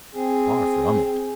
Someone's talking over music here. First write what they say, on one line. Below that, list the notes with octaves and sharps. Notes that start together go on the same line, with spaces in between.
Far from it.
C4 G#4